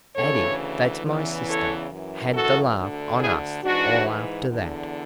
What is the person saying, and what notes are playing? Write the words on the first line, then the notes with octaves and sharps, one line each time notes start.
"Addie--that's my sister--had the laugh on us all after that."
D2 C#3 E3 A4 C#5
E2 C#3 E3
A4 C#5
F#2 E3
F#4 A4
D2 D3
E4 G#4
G#2 E3 D4 F#4
E2 D3